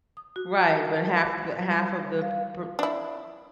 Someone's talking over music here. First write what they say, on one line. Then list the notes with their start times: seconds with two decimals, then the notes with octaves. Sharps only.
Right, but half the half of the per
0.17 D#6
0.36 F#4
0.85 A5
1.62 G3
2.22 F5
2.79 D4 E4